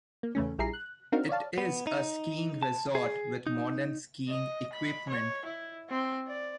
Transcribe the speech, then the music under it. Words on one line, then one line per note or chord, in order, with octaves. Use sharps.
It is a skiing resort with modern skiing equipment.
A#3
E2 C#3 A3 C#4
A#1 G3 E4 G#4 A#5 C7
F#6
C4 D4 D#4 F#4 A#4 F5
C#5 D5 F5 A5
B3
D#4
A5
G#4
D#4
D#5
B5
C#5
E4
C4
D5